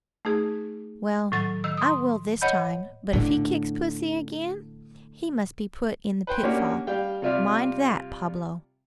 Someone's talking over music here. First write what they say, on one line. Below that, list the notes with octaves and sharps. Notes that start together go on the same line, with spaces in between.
"Well, I will this time; but if he kicks pussy again he must be put in the pitfall--mind that, Pablo."
A3 D#4 G#4
A2 D#3 F#3 A6
D#3 E6
C6 D#6
C#5 D#5 F#5 B5 G6
A2 D3
B4 C5 G5
A#3 C#4 D4 F#4 G4
G3 F5 G5
C3 G3 F4 D5 E5 F6